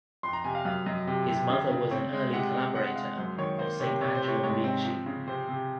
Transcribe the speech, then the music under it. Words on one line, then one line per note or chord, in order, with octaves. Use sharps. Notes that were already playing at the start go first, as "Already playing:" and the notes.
His mother was an early collaborator of Saint Angela Merici.
F2 C6
A#5
C3 G#5
F5
F#2 F5
F#2 D#5
C3
C3
C#3
C#3
C4 C#5
G#3
C3 F#5
C4
G#3 F#5
F#5
G#3 F5
F#2 C5
D#3 C#5
A#3 C5
C3 C#5
C3 C#5
C5
C3
C#5
G#2 C#5
C4
F3
C#3
C3 C5
C3